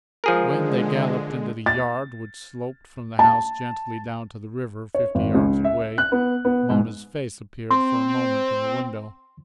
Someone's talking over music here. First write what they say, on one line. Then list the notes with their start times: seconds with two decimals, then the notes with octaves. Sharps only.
When they galloped into the yard which sloped from the house gently down to the river fifty yards away, Mona's face appeared for a moment in the window.
0.24 D3 F3 G#3 G#4 A#4
1.66 A6
3.19 A5
4.94 C#5
5.15 G#1
5.35 C#2
5.64 E5
5.98 F#6
6.12 B3
6.45 B3
6.70 G#2
7.71 C4 C6